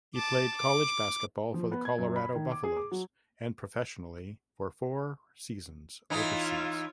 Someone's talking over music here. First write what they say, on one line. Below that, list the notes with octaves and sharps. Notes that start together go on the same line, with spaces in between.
He played college basketball for the Colorado Buffaloes and professionally for four seasons overseas.
A5 D6
D6
F3
B3
G#6
F#2
B5
D#3
D6
G#4
D6
F#3
E3 D#4 F4 C#5